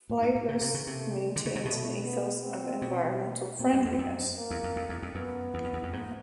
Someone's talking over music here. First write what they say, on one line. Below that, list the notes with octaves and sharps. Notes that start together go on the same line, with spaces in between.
Flightless maintains an ethos of environmental friendliness.
A2
G#2
A2
C#3 A#3
C3
C#3
C3 A3
G#3
D3
C#3
C3
B2 A3
B3
C4
B2
A#2 C4
G2
F2
F#2
A#3
E2
F2
F2
E2
F2
F#2 B3
E2
F2
E2
F2
G#2